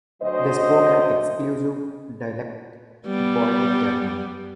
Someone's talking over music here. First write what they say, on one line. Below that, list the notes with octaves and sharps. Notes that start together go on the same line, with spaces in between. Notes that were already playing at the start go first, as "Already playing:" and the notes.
They spoke an exclusive dialect, Baltic German.
D2 F#3 C5 D#5
G3 B3